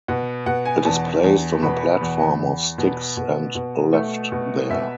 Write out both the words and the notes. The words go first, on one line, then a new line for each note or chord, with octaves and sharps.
It is placed on a platform of sticks and left there.
B2 F#5
B2 F#5
G#5
E2 A5
E2
B2 B5
E2
E2
B2
B2
B2
A3
B2
B2 E5